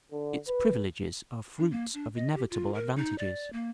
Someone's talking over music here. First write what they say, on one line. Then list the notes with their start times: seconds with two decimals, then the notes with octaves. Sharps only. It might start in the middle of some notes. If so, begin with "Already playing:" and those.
Its privileges are fruits of inevitable advantages.
0.11 D3
0.47 B4
1.58 D4
1.71 A#3
1.94 D4
2.15 D#5
2.35 G4
2.51 F4
2.74 A#4
2.96 D#4
3.18 D5
3.53 A#3